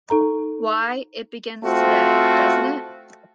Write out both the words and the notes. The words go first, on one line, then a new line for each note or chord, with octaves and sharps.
Why, it begins today, doesn't it?
D#4 A4 A#5
A3 C4 F4 F#4